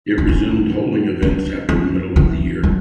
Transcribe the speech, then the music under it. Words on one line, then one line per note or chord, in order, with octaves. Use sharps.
It resumed holding events after the middle of the year.
D4
C#4
D4
C#4
E3
F#3